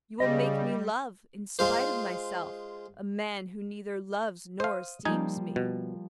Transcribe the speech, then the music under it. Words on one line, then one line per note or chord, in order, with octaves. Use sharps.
You will make me love, in spite of myself, a man who neither loves nor esteems me.
C#3 G3 D#5
G#3 F4 C5
C5 F5 D#6
F3 G3 A#3 D#4 G#5
B2